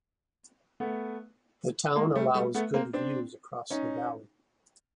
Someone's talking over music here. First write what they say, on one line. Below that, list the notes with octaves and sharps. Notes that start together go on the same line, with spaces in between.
The town allows good views across the valley.
A3 B3
G#3 A#3
G3 A3
G3 A3
A3 B3
A#3 C4
C4 D4
C#4 D#4